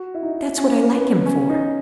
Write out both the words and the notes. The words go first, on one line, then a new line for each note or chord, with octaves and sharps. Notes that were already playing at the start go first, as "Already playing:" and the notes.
"That's what I like him for."
Already playing: F#4
E4
D#4
C#4
B3
C#4
D#4